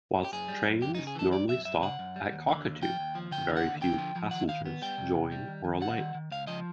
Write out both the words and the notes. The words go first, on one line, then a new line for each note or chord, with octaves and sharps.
Whilst trains normally stop at Cockatoo, very few passengers join or alight.
G4
F#2 G#4
G3
F#2
F#2 G4
D#4
C#3
G#4
E3 A4
F#2 D5
F#2 E5
F#2 E5
C#3 F#5
F#2
G3
D#2
D3
D#2
F3 G5
D#2
F3
D3 G5
D3
F#5
D#2
D3 G5
F3
F3
D#3 F#5
D#3 F5
B3
G3 G5
C3
C3
G3
D#3
D#3
G3 F#5
D#3
D#3
C#2 F5
F3 D#5